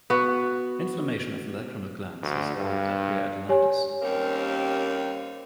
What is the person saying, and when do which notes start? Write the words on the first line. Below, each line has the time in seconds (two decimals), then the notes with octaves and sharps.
Inflammation of the lacrimal glands is called dacryoadenitis.
0.10 B3 F#4
2.22 D2
2.56 G2
3.49 G4 C#5 G#5
4.02 D#2 G3 A#3 C4 C#4 A#4